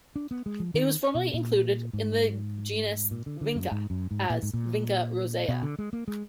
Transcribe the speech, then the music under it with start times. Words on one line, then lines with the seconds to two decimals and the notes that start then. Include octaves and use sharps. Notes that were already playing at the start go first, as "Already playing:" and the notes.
It was formerly included in the genus "Vinca" as "Vinca rosea".
0.16 D4
0.31 B3
0.46 G#3
0.60 F3
0.74 D#3
1.15 B2
1.34 A#2
1.93 G#2
3.11 A#2
3.26 D3
3.41 D3
3.55 F#2
3.71 G#2
3.90 F#2
4.11 G#2
4.30 A#2
4.43 G#2
4.54 A#2
5.48 B2
5.63 D3
5.79 G#3
5.93 A#3
6.08 G#3